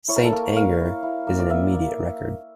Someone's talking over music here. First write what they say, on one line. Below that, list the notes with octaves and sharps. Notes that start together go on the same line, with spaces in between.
"St. Anger" is an immediate record.
E4 C#5
A#4
A4
A#3 A#4
A#3 F5
E4
E4
A#3
D5
A#3 E5
A#3